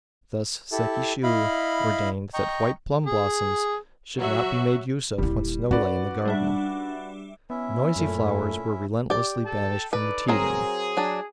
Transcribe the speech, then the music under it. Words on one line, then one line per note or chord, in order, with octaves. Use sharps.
Thus Sekishiu ordained that white plum blossoms should not be made use of when snow lay in the garden. "Noisy" flowers were relentlessly banished from the tea-room.
E4 G4 A4
E4 D#5 F5 B5
D#5 G5 A#5 C#6
G#4
F#3 F#4 E5
D#1 G3 E4
C#4 D#4 F#4 B4 D5
G3 D4 E5
B3 C#4 E4 E5
F#2 A#2 A3
G4 D5
A4 G5 A5
D#4 A4 B4 D5
F#3 C4 G#4 A#4
F#3 D4